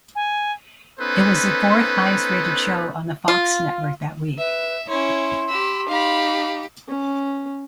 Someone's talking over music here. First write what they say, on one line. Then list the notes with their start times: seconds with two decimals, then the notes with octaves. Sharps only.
It was the fourth-highest-rated show on the Fox Network that week.
0.15 G#5
1.00 B3 C#4 D#4 A4 B4 C5
3.28 F4
4.38 B4 E5
4.89 C#4 E4 C#5 C6
5.49 G4 B5 E6
5.88 D#4 G4 F5 B5
6.88 C#4